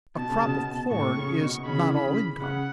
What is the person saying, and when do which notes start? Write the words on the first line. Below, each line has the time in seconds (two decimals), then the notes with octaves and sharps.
A crop of corn is not all income.
0.16 B2 A5
0.30 C#3
0.44 B2
0.91 A2 C#6
1.16 C#3
1.41 B2
1.66 C#3 B5
1.78 E3
1.92 C#3
2.40 C#3 F#5